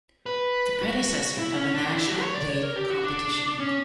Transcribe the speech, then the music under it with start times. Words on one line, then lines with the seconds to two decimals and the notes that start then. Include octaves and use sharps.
The predecessor of a national league competition.
0.26 B4
0.81 F#4
1.38 E4
1.56 C#4
1.75 D4
1.92 E4
2.07 F#4
2.21 C#5
2.35 D5
2.49 C#5
2.63 A#4
2.76 G4
2.90 F#4
3.04 D4
3.60 C#4